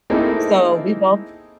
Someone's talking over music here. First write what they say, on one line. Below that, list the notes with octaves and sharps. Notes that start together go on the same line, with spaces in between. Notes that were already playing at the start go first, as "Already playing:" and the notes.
so we both
A#3 C4 D#4 E4 G#4 A4